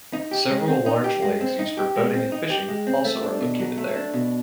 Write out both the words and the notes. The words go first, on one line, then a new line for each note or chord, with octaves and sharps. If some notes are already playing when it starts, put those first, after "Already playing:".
Several large lakes used for boating and fishing also are located there.
D#4
G4
G#3
C4
D#4
G4
G#3
C4
D#4
G4
G#3
C4
D#4
G4
G#3
C4
A3
D4
B2
F#3
A3
D4
B2